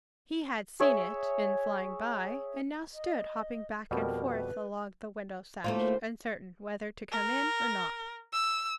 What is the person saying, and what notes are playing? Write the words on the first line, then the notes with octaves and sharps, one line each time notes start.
He had seen it in flying by, and now stood hopping back and forth along the window sash, uncertain whether to come in or not.
G#4 C#5 E5
D#5
F2 B2 G3 A#4
B4
D2 A2 A3 A#3 F4 C5
A#4
E6